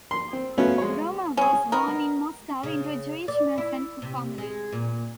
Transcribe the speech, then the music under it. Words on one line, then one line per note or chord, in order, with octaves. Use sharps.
Rumer was born in Moscow into a Jewish merchant family.
C6
C4
F#3 A3 B3 C#4 F4
G#3 C#5
C#4 G#4
B3 D#4 A#4
C#3
D5
E4
C3
G#3
A#2